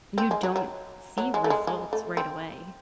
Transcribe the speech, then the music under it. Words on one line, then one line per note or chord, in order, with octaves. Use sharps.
you don't see results right away,
C4
G#3
F#3
F#3
F#3
G#3
A3
G#3
G#3
A3
C4